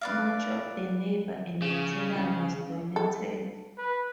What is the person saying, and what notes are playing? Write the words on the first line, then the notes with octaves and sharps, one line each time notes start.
Much of the labor and material was donated.
B4 D5 F5
C#3
A4
B4